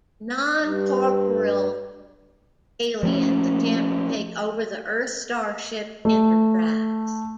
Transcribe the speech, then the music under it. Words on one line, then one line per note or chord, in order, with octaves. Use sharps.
Non-corporeal aliens attempt to take over the Earth starship "Enterprise".
G2
F3 A3 C#4
A3